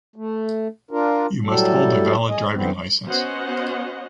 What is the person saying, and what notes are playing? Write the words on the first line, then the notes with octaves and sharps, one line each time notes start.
You must hold a valid driving license.
A3
D4 F4 A#4
A2 F#3 G3 A4
G#4 D#5
D3 E3 B3 C4
B3 C#4 F#4 C5 D#5 F#5